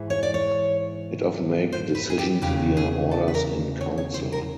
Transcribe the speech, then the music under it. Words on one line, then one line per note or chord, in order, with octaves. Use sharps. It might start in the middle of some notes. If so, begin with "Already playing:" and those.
It often make decisions via Orders in Council.
Already playing: G#2 E3
C#5
D5
C#5
C5
B4
G#4
G4
E2 C#3 E3 G4
G#4
A4
B4
A#4
C#5
C#5
C5
A#4